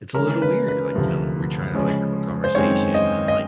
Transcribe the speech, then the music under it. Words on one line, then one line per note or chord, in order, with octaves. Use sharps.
it's a little weird. Like, you know, we're trying to, like, have a conversation and, like,
C#3 E3 G#3 C#4 A#4
B4
B4
D2 C3 F3 A3
C#3 F3 G#3 C#4
C5
F#2 D#3 G#3 C4 C#5
D#5
D#5